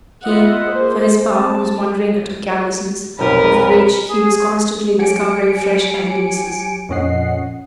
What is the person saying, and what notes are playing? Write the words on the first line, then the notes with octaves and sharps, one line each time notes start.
He, for his part, was wondering at her callousness, of which he was constantly discovering fresh evidences.
B3 F4 D#5 E5 F#5
A#3 G#4 C5
C4 A5
F1 B1 A#4 B4
G#4
F#3 G4 G#5 C#7 D7
F2 A#2 C#4 D#5 F#5 C7